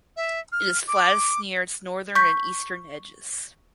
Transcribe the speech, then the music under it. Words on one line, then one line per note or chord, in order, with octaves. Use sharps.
It is flattest near its northern and eastern edges.
E5
F6
D6
C#6 G6 B6